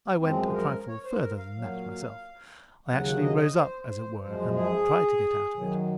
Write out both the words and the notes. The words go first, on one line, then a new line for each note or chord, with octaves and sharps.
I went a trifle further than that myself; I actually rose up, as it were, and tried to get out of it.
F#2 F3 G#3 C4
A#4
C#5
C5
A#4
F5
A#2 F#3
D#2 C#3 F#3 F#5
F#5
D#5
D#5
C5
C5
F#2 F3 G#3 C5
G#4
F#2 D#3 F#3